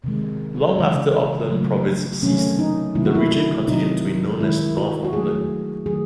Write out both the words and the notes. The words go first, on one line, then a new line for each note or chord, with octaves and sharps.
Long after Auckland Province ceased, the region continued to be known as North Auckland.
C3 D#3 G#3
C#3 E3 G#3
C#3 F#3 A3
C3 D#3 F#3 A3 C#4
D#4
C3 D#3 F#3 A3 E4
F#4
E4
E4
C3 D#3 F#3 D#4
D#3 G#3 E4
F#4
F#4
D#3 F#3 A3 G#4
D#3 F#3 A3 G#4